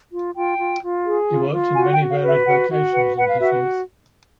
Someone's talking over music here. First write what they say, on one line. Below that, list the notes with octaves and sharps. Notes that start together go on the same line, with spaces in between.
He worked in many varied vocations in his youth.
F4
F4 G5
F4
F4
G#4
F4
F4
F#4 G#5
G5
F#4
F5
B4
E5
F#4 F#5
F#4
B4 F#5
B4 F#5
F5
F#4 E5